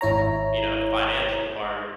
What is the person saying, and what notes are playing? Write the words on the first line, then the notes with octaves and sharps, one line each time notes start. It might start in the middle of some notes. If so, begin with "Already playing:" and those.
you know, financial part
G#1 E4 C#5 A#5